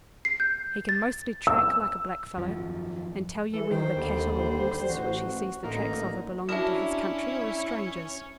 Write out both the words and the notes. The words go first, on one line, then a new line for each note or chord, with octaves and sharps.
He can mostly track like a blackfellow, and tell you whether the cattle or horses which he sees the tracks of are belonging to his country or are strangers.
C7
G6
A6
E6
G#1 F#2 F3
E3 A4
D#3 C5 G5
D#2 D3 G3
A1 F#4
A1 D3 A#3 D#4 A#5
C#4 D4 E4 F#4 A#4 C#5 E5